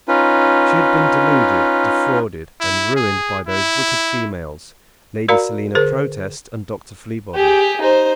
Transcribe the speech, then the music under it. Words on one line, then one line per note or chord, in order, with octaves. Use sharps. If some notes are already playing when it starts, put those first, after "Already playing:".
She had been deluded, defrauded, and ruined by those wicked females, Lady Selina Protest and Dr. Fleabody.
C#4 D#4 F4 B4
E4
G#4
E4
F#4 A#4 D5 F5 A#5 B5
D3 G#4 A#4 C5
G4 G#4
D#4 C5